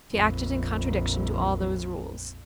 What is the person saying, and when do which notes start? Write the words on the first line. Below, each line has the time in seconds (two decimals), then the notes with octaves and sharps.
She acted in contradiction to all those rules.
0.12 A#1 F2